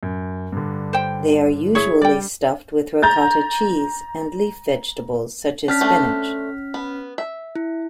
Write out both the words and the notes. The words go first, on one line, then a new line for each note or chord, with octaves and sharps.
They are usually stuffed with ricotta cheese and leaf vegetables, such as spinach.
F#2
G2 D3
C5 G5
E4 G#4 C#5
G3 D5 G5
A#5 G6 A6
C#4 D4 F6 B6
A3 C4 D4
B3
E5
E4